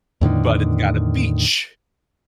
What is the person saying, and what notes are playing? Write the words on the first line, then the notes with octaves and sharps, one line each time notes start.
but it's got a beach,
E2 A2 D3 D#3